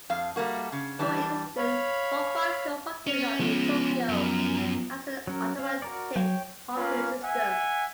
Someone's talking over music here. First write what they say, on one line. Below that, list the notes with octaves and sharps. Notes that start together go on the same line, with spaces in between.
For instance, one bicycle parking lot in Tokyo has an automated parking system.
F2 F5
G3 A3 A#3 F#4
C#3
E3 G3 D4
C#5 F5 B5
C#4
F3 G#3 B3 C#4
F#2
F#3 C#4 A#4
C#4 F5
F#4 A#4 D5
F#3 C#5 G5
A#3 C#4 F4 B4
E5 F#5 G#5